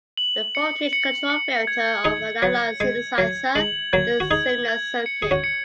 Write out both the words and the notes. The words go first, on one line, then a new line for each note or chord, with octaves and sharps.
The voltage-controlled filter of an analog synthesizer is a similar circuit.
F#7
C#7
C#7
C#7
G#6
D#4 G#4 G#6
F#3 G#6
G#3 G#6
F#3 G#6
G#3 F#7
F#3 A#3 G#6
F#4
D#4 G#4 G#6
G#6
C#7
G#4
C#4 F#4
C#7